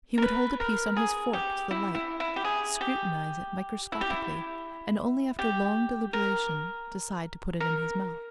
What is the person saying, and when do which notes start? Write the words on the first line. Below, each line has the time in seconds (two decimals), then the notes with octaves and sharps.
He would hold a piece on his fork to the light, scrutinize it microscopically, and only after long deliberation decide to put it in his mouth.
0.18 A#4
0.22 B4
0.60 A#4
0.96 G#4
1.33 G4
1.71 E4
1.95 E4
2.20 E4
2.36 G4
2.44 G#4
2.81 G4
3.92 E4
4.01 G4
4.10 E4
5.39 G4
6.13 A#4
7.60 A#4